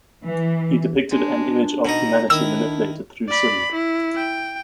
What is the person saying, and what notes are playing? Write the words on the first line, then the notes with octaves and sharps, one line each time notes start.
He depicted an image of humanity manipulated through sin.
E3
G#3 D4
B2 D#4 A#5
D#3 D4 E4 A#5 E6
D5 B5
E4
G5